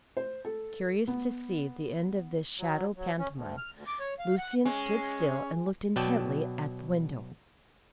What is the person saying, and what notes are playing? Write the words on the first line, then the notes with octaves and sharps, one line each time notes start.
Curious to see the end of this shadow pantomime, Lucian stood still and looked intently at the window.
C5
A4
B3
F#3
F#3
C#4
D2
F6
D2
D6
C#5
F5
F#5
G#3 C#4 G#5
B2 F#3 D5 G5 A5